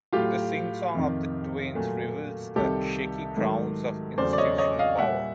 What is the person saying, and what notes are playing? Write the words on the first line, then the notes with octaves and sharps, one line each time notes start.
The singsong of the twins reveals the shaky grounds of institutional power.
A2 F#3 A3 F4 G4
F2 C3 D#3
A#2 F#3 A3
C2 C3 D#3 G3 G4 A4
G#2 D#3 F#3 A3
E2 C#3 F#3 A3 C5 D5
D5
C#5 D#5
C#5 D#5
D#5 F5
A#2 G3 E5 F#5